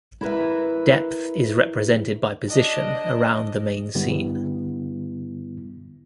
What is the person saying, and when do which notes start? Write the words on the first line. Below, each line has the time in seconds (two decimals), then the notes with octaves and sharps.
Depth is represented by position around the main scene.
0.21 E4 A#4 B4 E5
2.50 D4 D#5
3.95 G2 D3 G3 B3 E4